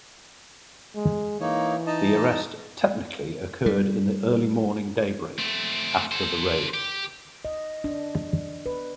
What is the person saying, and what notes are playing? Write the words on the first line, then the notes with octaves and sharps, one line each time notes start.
The arrest technically occurred in the early morning daybreak after the raid.
G#3
E3 A#3 D#4 C#5
D#4 D#5 A5
G3
A3 C4
A4 C5
G4
D#5
D4
B4